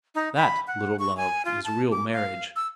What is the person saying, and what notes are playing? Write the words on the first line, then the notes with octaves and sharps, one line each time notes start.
That, little Love, is real marriage.
D#4
B5
F#5
C#6
G#5
F4
A5
D6
F5
E6